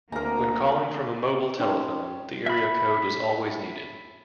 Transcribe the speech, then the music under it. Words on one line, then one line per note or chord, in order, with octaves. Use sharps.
When calling from a mobile telephone, the area code is always needed.
D2 A#3 C4 A#4 A#5
C#4 D#4 G5 C6
E5 B5